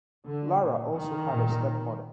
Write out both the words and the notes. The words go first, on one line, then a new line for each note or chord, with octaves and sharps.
Lara also had a stepmother.
D3
A#2
D#3
A#2